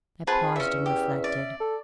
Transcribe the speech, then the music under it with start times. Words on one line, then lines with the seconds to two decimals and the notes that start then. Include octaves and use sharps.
I paused and reflected.
0.27 C4 F4 G#4 B4 A5
0.56 E2 C#4 E5
0.86 G4
1.24 D5
1.60 A4